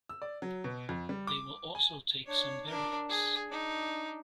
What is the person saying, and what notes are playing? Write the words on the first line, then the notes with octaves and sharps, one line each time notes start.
They will also take some berries.
E6
D5
F#3
B2
F2
G3
D6
G#5
D4 C#5
D4 A#4
G#4
D4 D#4